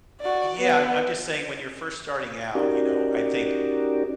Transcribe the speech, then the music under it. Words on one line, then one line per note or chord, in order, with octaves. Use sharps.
Yeah, I'm I'm just saying when you're first starting out, you know, I think
F#4 D5
B3
C#4 D#4 F#4 G4 A#4 D5